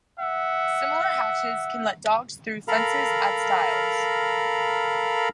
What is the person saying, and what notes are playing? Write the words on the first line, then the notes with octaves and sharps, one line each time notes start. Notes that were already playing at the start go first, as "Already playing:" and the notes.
Similar hatches can let dogs through fences at stiles.
E5 F#5
A4 A#4 F5 A#5 B5